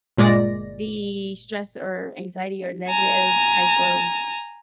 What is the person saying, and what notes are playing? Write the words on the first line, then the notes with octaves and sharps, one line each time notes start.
the stress or anxiety or negative type of,
G1 A#2 G#3 D5 A#6
G#5 A#5